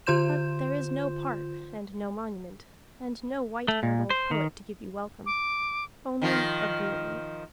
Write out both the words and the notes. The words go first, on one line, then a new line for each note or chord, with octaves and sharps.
But there is no park, and no monument, and no white-haired old poet to give you welcome--only a brewery.
D3 F4 C5 C6 G6 E7
A3
A#2
C5
D#3
D6
D#3 F3 F4